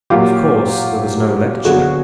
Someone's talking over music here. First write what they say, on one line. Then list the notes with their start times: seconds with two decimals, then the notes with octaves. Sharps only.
Of course there was no lecture.
0.10 A#2 F#3 A#3 F4 G4
1.65 D3 F#3 B3 F#4 G#4